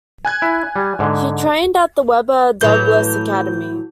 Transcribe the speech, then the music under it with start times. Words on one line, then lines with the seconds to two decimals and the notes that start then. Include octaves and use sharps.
She trained at the Webber Douglas Academy.
0.25 G#5 F#6 G#6
0.42 E4
0.76 G3
0.99 G#2 D3
2.61 A2 E3 F#3 G6